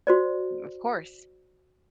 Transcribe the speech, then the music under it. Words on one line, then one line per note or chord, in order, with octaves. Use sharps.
Of course.
F#4 C5 D5